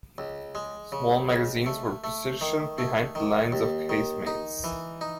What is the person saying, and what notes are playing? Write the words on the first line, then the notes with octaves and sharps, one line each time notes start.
Small magazines were positioned behind the lines of casemates.
C#2
G#3
C#3
C#2
A3
A3
D#3
A3
D#3
D#2
D#3
D#4
E3
D#4